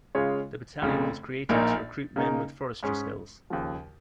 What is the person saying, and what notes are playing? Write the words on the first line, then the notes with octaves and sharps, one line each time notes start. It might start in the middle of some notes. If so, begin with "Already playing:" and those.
The battalion was created to recruit men with forestry skills.
C#3 G#3 F4 C#5
F1 F2 C#3
A#1 A#2 A#3 D#4
C#3 A#3 D#4
G#2 G#3 C#4 G#4
D#2 C#3 F3